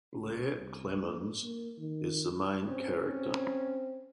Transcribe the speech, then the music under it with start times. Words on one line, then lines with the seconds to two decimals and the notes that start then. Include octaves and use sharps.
Blair Clemmons is the main character.
0.18 C#2
0.54 C2
1.04 A#3
1.44 A#3
1.78 D#3
2.67 C4 C#4
3.07 C4